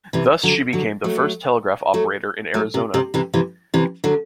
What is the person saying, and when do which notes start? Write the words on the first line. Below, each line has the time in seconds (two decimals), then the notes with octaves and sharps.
Thus she became the first telegraph operator in Arizona.
0.13 C3 E3
0.43 D3 F#3
0.73 D3 F#3
1.04 F#3 A3
1.94 F#3 A3
2.54 F#3 A3
2.74 C3
2.94 C3
3.14 C3 E3
3.34 C3 E3
3.74 C3 E3
4.04 D3 F#3